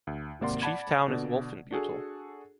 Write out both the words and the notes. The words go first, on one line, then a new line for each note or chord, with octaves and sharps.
Its chief-town is Wolfenbüttel.
D2
G#1 C3 A#3 D5 F#5 C6
D5 F#5 A5 B5 G#6
B2 D3 D5
D4 F#4 G#4 A4